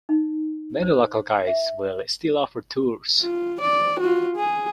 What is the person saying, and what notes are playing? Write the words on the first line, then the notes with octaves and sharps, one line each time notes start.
Many local guides will still offer tours.
D#4
C5
E5
F4
D5
F4 F#4
G#4